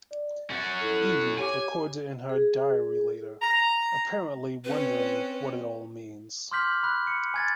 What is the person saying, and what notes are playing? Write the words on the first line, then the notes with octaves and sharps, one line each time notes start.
Evie records it in her diary later, apparently wondering what it all means.
D5
C#4 F#4 A6
E4 A4
G4 C#5 G#5 D6
G#4
A#5
C4 C#4 B4
C6 D6 F6 G6 B6 F#7
B5 F#6
C#7
G#5 G#6 A6